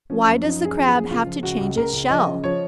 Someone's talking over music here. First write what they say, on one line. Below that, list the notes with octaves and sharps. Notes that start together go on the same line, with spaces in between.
Why does the Crab have to change its shell?
F3 C#4
F#2
F3 D#4
F#2 G#4
F3
G#4
F#2
C#2 F4
F3
C#2 F#4
C#2
C#2 A#4
C#2
F3 D#5
C#3
F3 C#5